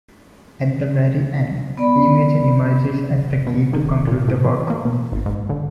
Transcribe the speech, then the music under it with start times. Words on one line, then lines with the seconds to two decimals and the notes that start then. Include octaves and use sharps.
At the very end E major emerges as the key to conclude the work.
1.77 B3 D5 B5
3.47 B2
3.73 D#3
4.07 A#2
4.28 A2
4.45 E3
4.70 A#3
4.85 B2
5.12 G#1
5.26 G#2
5.49 D3